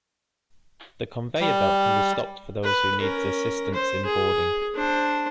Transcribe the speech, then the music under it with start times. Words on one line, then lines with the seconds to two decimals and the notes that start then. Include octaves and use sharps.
The conveyor belt can be stopped for those who need assistance in boarding.
1.41 G3
2.64 B4
3.00 C#4 A#4
3.74 C5
4.06 G#4
4.75 D4 C5